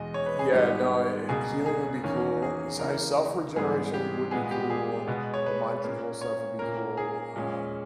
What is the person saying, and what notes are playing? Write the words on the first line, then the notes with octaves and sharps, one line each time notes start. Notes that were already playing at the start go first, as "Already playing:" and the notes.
yeah, no, e healing would be cool, s I self regeneration would be cool, the mind control stuff would be cool, um,
Already playing: E2 B2 G#3 D#5
C#5
B4
G#4
G#2 D#3 G3 B3 G4
C#2 B2 A#3 G#4
G#4
E2 D#3 A#3 C#4
G#4
C#2 C#3 E3 A#3 A#4
G#2 E3 G3 B3 G#4
G4
A#2 G#3 B3 G#4
G4
G#4
B2 G#3 B3
C#5
B4
A#2 A#3 C#4
C#5
A#2 A#3 C#4 A#4
G#4
A#2 G#3 C#4